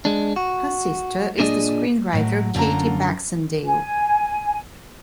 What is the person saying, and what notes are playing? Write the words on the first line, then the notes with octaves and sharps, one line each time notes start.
Her sister is the screenwriter Katie Baxendale.
G#3 D4
F#4
A#2 D4 G#4 D5 D#5
A2 F#3
F#2 D3 F4 A#5
G#5